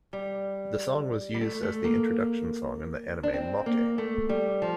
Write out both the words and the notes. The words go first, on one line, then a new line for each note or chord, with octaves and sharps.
The song was used as the introduction song in the anime Mokke.
G3
G3
A3
A3
A#3
D4
C4
A#3
A3
G3
F3